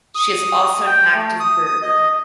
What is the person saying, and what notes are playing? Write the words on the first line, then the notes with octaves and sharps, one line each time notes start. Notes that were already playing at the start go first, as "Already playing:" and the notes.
She is also an active birder.
D#6
G5
A3
D#6
D#6
D#5